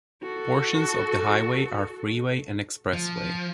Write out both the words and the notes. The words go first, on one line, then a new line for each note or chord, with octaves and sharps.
Portions of the highway are freeway and expressway.
F#4 A4
F3